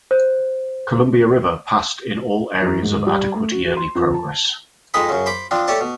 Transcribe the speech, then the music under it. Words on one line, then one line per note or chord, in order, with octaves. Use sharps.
Columbia River passed in all areas of Adequate Yearly Progress.
C5
F#2
G#2
G3
A3
F#4
C6
F2
A5
F2 G#3 D#4 D#5 B5
F#2 C#3
C5 B5 D6
F3 C4 D4
A3 G4 C#5 D5 A5
B2